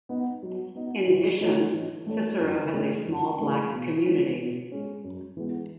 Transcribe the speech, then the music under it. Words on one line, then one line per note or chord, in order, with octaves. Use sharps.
In addition, Cicero has a small black community.
B3 D#4
F#3
B3 D#4
E3
A3 D#4 A4 C#5
E3
A3 D#4 A4 C#5
F#2
E3 A3 C#4 G#4
F#2
E3 A3 C#4 G#4
B2
G#3 C#4
B2
G#3 C#4
F#2
E3 G#3 B3